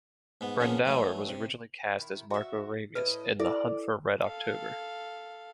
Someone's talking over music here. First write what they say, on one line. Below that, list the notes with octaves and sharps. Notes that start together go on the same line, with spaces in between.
Brandauer was originally cast as Marko Ramius in "The Hunt for Red October".
G#2 B3
A#2 C#3 F3 A#3 B3
E3 F#3 A3
C3
D#3 E4
F#4 E5
A2 E4 B4 D#5
E4 A4 D5 E5
A4 F5